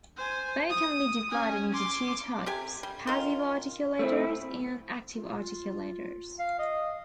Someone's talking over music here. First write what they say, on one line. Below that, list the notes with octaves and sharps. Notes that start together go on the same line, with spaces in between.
They can be divided into two types: passive articulators and active articulators.
C5 G#5
D#6
C#4 G#5
C6 D6
C3 G4 G#5
G3
D#3 F4
A3 C4 E4
F4
F5
D#5